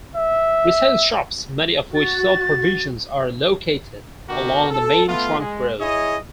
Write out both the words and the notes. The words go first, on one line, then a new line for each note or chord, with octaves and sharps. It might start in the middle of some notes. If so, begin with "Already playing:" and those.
Retail shops, many of which sell provisions, are located along the main trunk road.
E5
F#4 A6
B2 D3 F#4 G4 A#4
A4
A3 B3 F4
G#3
E4 G#4 C#5 D#5